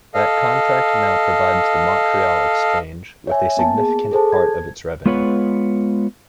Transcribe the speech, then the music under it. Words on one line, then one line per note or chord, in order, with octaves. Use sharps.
That contract now provides the Montreal Exchange with a significant part of its revenue.
A4 D#5 F5
C#5 E5 G#5
A#3 B3 A5
G#4
G#4 A4 C5 A5
G#6
G#3 B3 F4 B4 C#5 F#5